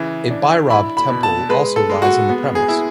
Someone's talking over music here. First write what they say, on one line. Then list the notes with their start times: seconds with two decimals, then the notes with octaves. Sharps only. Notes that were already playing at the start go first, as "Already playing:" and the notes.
A Bhairab temple also lies in the premise.
Already playing: C#3 E3
0.31 D4
0.70 E4 B5
0.97 B5
1.10 B2
1.23 A5
1.49 G#3 B4
1.76 A4
1.90 G#3
2.02 F#4
2.29 B3
2.55 G#4
2.68 E4